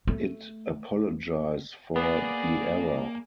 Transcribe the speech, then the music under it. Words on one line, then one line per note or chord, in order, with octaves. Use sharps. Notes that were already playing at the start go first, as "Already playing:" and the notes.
It apologised for the error.
A3
A#3 B3 G#4 D5